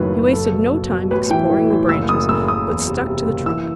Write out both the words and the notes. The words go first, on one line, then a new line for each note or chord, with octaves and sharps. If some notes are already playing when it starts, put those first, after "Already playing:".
He wasted no time exploring the branches, but stuck to the trunk.
Already playing: F#1 F#2 A2 D#3 B4
F#2
F#1 A4
B2
B2
B2
A1 B4
E3 G5
E3
A1
F#1 E6
F#1 D#6
F#1 E6
F#1 D#6
E2
C3
C3
F#1
E3 E6